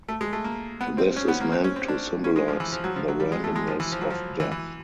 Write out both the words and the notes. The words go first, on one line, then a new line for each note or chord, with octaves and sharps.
This is meant to symbolize the randomness of death.
A3
G#3
A3
A#3
B3
C4
C#4
B3
A#3
C4
C#4
C4
D4
C#4
G#3
F3
E3
F3
F#3
F3
F#3
G3
G#3
A3
G#3
F3
E3
F3
F#3
F3
E3
E3